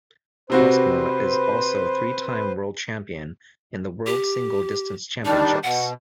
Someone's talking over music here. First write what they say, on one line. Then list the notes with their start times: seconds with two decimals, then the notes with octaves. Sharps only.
Postma is also a three-time World Champion in the World Single Distance Championships.
0.50 C3 C4 F#4 B4 C5
4.06 G4
5.25 D#3 G3 D4 D#4
5.63 B2 F#5